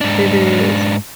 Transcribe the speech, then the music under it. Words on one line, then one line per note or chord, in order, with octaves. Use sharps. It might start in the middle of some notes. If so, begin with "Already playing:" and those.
It is.
G#2 D4